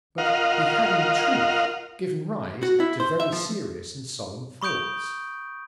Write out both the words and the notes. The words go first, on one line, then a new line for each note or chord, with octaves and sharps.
But he had in truth given rise to very serious and solemn thoughts.
F4 A#4 D#5 F5 F#5
F#4
E4
C5
E5
F3
B5 C#6 D#6 G6 D7